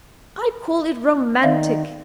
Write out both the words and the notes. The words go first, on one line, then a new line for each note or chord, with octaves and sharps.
I call it romantic.
D#3 D5 E5 F5